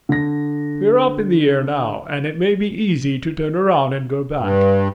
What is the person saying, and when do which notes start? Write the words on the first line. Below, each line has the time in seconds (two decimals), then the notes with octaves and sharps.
We're up in the air now, and it may be easy to turn around and go back.
0.09 D3 A#6
4.40 G2